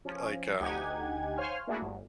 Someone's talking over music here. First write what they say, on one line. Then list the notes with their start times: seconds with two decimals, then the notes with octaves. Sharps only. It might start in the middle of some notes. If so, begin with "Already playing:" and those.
like, um,
0.05 F3 C#4
0.60 D2 D#4 G4 F#5 G#5 G#6
1.38 C5 C#5 F5 G#5 C6 F6
1.67 A3 A#3 D4 E4 F#4 G#4
1.82 G1